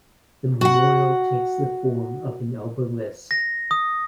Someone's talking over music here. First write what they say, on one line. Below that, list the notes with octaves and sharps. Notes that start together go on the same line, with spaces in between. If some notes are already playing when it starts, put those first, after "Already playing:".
The memorial takes the form of an Obelisk.
F#4 F#5
A#6
D#6